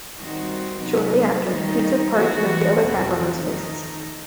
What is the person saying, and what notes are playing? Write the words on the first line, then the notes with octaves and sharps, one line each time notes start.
Shortly after, he took part in a failed attack on those places.
D#3 G3 C4 D#4 F#4
C3 F#3 B3 D#4
D#3 G3 D#4
E3 B3 F#4
E2 B2 A3 C4 F#4
D#3 A3 D#4